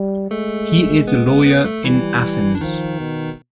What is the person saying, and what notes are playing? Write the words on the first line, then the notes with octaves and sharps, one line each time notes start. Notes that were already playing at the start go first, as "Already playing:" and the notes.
He is a lawyer in Athens.
Already playing: G3
G#3 A3 A4
B3 B4
B3 B4
B3 B4
A3 A4
E3 G3 E4
D4
D#3 F3 D#4
B2